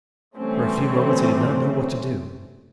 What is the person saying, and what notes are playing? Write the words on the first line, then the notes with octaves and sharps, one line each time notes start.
For a few moments he did not know what to do.
E3 G3 A3 C4 C#4